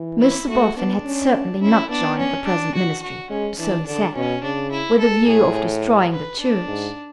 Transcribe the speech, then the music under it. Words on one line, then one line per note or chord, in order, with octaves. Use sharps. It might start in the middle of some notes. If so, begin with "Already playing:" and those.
Mr. Boffin had certainly not joined the present Ministry,--so he said,--with the view of destroying the Church.
Already playing: E3
E4
A3 F#4
B3 D4
C#4
C#4 E4
B3 D4
C#4
D4
F#4
F#4
G#3 C#4
E3 D4
D3 D4
B2 C#4
C#3 D4
E4
A4
A2 G#4
B4
D4
G#2